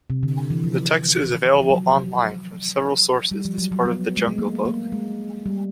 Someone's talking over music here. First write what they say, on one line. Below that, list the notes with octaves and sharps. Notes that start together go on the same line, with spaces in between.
The text is available on-line from several sources as part of "The Jungle Book".
C3
D3
E3
F3
F3
F#3
G3
F3
F#3
F#3
B3
G#3
A3
A#3
A#3
G#3
G3